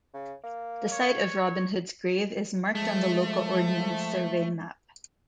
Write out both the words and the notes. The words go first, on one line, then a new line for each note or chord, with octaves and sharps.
The site of Robin Hood's Grave is marked on the local Ordnance Survey map.
C#3
A#3
C#5
F3 G#3 A3